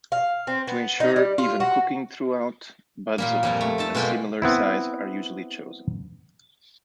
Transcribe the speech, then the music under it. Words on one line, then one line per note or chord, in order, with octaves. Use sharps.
To ensure even cooking throughout, buds of a similar size are usually chosen.
F5
C4
B3
D#4
G3
F4
F#4
A#2 G3 A#3
F2 A#2 G3
A3
D#4 A4 A5
B2 G#3 A#3 G4 G5
B3 C4 E4